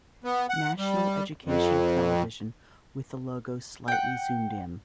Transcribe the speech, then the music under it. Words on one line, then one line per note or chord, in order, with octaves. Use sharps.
National Educational Television with the logo slightly zoomed in.
B3
F#5
G3
F2
F#5 G5